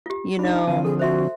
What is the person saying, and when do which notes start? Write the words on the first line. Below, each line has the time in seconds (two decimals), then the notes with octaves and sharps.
You know,
0.06 F4 G4
0.39 D4 D#4 B5
0.67 D3 F3 C4 F5 A5
0.84 G#4 A4
0.99 F#4 C5 E5 C6